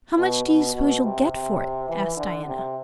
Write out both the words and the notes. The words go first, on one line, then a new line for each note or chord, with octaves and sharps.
"How much do you suppose you'll get for it?" asked Diana.
B2
B2
B2
C3
C3
E3
D3
C3